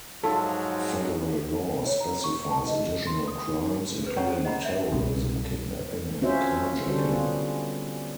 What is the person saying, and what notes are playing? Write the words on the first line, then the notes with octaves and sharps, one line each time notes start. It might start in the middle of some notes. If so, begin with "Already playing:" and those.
Federal law specifies additional crimes, including terrorism, kidnapping, and carjacking.
G#2 F3 F#3 F4 A4
C#5
A#5
C#6
A5
D#5
C6
D#6
D#4
G#4 B4
C#4 A4 C#5 F#5 A#5 C#6
G#4 A4 C5
D#5 F#5 A#5 B5
E5
C2 B2 G3 C4
C4 C#4 F4 F#4 C5 E5
D3 G3 F#4 A4 C5
B3 F4 G#4